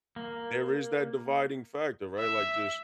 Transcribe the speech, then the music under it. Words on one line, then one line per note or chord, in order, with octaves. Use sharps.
there is that dividing factor, right, like, just
A#3
E5